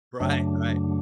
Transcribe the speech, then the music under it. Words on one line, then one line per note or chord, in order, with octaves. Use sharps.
Right, right.
F#2 C#3 F#3 A3 D4